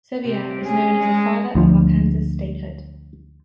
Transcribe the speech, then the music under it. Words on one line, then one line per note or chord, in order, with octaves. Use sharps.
Sevier is known as the "Father of Arkansas Statehood".
C3
C#4 G#4
G#3
D2 F3